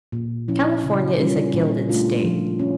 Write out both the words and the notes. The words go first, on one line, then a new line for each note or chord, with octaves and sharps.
California is a gilded state.
A#2
F3 C#4 E4
C#3
G3 C#4 F4 A#4
A#2
A3 D4 F4
F3
C#4